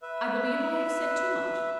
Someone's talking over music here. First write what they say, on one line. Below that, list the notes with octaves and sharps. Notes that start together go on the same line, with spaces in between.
I believe I have said too much.
B4 E5